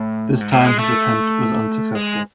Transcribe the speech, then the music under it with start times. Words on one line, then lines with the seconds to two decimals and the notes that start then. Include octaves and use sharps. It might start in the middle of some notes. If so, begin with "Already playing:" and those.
This time his attempt was unsuccessful.
Already playing: A2
0.41 G#2
0.53 A2
0.66 G#3
0.79 A3
1.95 G#3